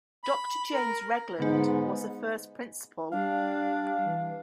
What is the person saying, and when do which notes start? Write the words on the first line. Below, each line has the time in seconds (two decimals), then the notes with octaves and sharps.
Doctor James Regland was the first principal.
0.24 B5
0.73 A#4
1.40 G#2 D3 B3 D#4
3.12 G3 D4 F5
4.04 E3